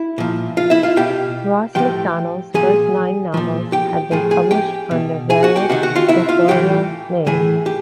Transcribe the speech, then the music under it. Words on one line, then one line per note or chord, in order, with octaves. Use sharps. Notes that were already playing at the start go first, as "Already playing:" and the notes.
Ross Macdonald’s first nine novels had been published under various authorial names.
Already playing: E4 E5
A#2 F3
F4 F5
E4 E5
F4 F5
B2 G4 G5
A2 F3 G4 G5
A#2 F3 G#4 G#5
A#2 F3
G4 G5
A2 F3 G#4 G#5
G#4 G#5
G4 G5
B2
G#4 G#5
F#4 F#5
G4 G5
C3 D#3 F#4 F#5
F#4 F#5
F4 F5
E4 E5
F4 F5
A2 E3 G4 G5
A2 E3 G#4 G#5
G4